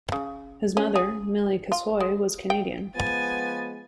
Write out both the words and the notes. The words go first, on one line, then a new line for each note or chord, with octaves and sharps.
His mother, Milli Kasoy, was Canadian.
C#3
C#4
G#4
F4
G#3
G5
F3 G#3 B3 G#5 A6